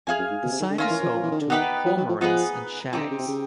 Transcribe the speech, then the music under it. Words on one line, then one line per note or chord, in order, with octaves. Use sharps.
The site is home to cormorants and shags.
F2 G#4 C#5 F5 G#5
F#2
G#2
B2
C3
D#3
D3
D#3 C#4 F4 A#4
E3
F3
F3
E3
D#3
D3
D#3 B3 D#4 G4 B4
F3
F#3
F3
F3 B3 D#4 G#4 B4
D#3 F3 C4 D#4 G4
D3
C#3
C3
C#3